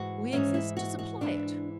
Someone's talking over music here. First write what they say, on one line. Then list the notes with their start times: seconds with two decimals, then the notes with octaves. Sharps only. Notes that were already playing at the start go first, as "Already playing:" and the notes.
We exist, to supply it.
Already playing: G#2 E3 F#4
0.32 G#2 E3 C#4
0.54 E4
0.77 F#4
0.99 F#4
1.21 G#2 E3 D4